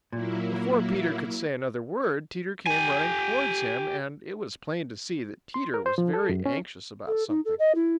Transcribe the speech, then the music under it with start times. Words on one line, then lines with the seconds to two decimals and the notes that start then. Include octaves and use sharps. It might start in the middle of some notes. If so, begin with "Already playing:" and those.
Before Peter could say another word Teeter came running towards him, and it was plain to see that Teeter was very anxious about something.
0.12 A#2 F#3 A#3 E4
2.67 G4 G#5
5.54 C6
5.74 A#4
5.86 C5
5.98 F3
6.13 A4
6.29 F#2
6.46 C#4
7.07 A4
7.29 D#4
7.45 A4
7.59 D#5
7.75 E4